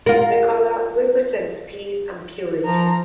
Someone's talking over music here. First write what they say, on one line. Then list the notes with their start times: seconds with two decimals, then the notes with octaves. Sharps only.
The color represents peace and purity.
0.06 F4 A#4
2.65 F3 A#5